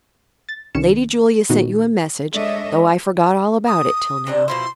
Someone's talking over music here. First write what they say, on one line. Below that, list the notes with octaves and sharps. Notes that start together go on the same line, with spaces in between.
Lady Julia sent you a message, though I forgot all about it till now.
A6
C2 D#3 C#4 C#7 E7
A#2 D#3 B3 D#4 F#4
G#3 D4 A4 C#5 D#5 E5
D#6
C3 D4 D#5
B2 F3 E4 C6